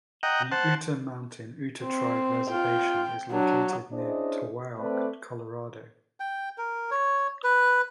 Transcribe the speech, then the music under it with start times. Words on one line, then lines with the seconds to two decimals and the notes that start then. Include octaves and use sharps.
The Ute Mountain Ute Tribe Reservation is located near Towaoc, Colorado.
0.23 D#5 F#5 G5 A#5
0.52 C5 F#5 A5
1.82 C4
2.50 F4 G5
3.32 F#3 D4
3.92 C#4 D4 E4 G#4 C5 D#5
4.77 A3 C4 B4 D5
6.20 G5
6.58 A#4
6.91 C#5
7.44 B4